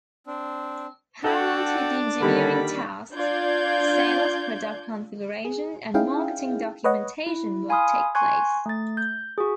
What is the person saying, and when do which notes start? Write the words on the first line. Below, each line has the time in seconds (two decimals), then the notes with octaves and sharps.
Parallel to the engineering tasks, sales product configuration and marketing documentation work take place.
0.27 C4 D4
1.24 D4 F#4 A4 F#5 G5
2.21 D3 D#3 G3 A#3 B5
3.13 D4 F4 D5 G6 G#6
5.45 G#4
5.94 C#4 D#4 E4 G#4 F5 G5
6.84 B4 C#5 D#5 F#5
7.26 E4
7.69 F5 G#5 B5 C6 D#6 F6
8.15 G#5 C6 C#6 F#6 G#6
8.66 A3 A6
8.97 G6
9.38 F#4 G#4